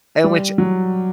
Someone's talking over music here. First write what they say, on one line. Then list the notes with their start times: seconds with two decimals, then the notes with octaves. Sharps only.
and which
0.24 G3
0.58 F#3